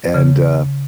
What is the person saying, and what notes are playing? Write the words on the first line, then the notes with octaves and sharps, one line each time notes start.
and, uh
C#3